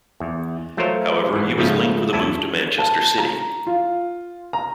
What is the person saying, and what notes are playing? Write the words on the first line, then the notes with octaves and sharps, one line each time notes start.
However, he was linked with a move to Manchester City.
E2
F#3 A3 F4 A#4 C5 C#5
G#2 E3
G#2 C#3 F3 A3 C#4
E2 E4 E5 G#5 A5
A5
A#5
F4
A#5